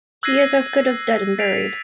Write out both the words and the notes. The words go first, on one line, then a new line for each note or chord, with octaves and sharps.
He is as good as dead and buried.
E6 F#6 G#6 A#6 C7 D#7
A6 B6 C7 D7 F7